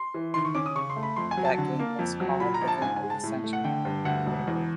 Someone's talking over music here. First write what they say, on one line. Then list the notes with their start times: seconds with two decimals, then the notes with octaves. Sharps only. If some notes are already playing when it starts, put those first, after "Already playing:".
That game was called "The game of the century".
Already playing: C6
0.14 E3
0.34 D#3 C6
0.45 C#6
0.55 C#4 D6
0.66 D#6
0.75 C#3 C#6
0.90 C6
0.96 A3
1.03 B5
1.16 F2 C6
1.31 G#5
1.37 F#3
1.45 A5
1.58 D3
1.79 A#3
1.99 F2
2.20 F#3
2.40 A#2 B5
2.54 A#5
2.61 A#1
2.68 A5
2.82 G#2 G#5
2.96 G#5
3.03 G#3
3.10 A5
3.24 A2
3.44 A3
3.53 F#5
3.64 D3 G5
3.85 G2
4.05 D2 F#5
4.26 E1
4.47 E2